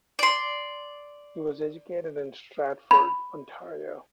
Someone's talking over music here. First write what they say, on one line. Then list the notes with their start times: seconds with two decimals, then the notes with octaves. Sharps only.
He was educated in Stratford, Ontario.
0.19 D5 C6
2.91 B5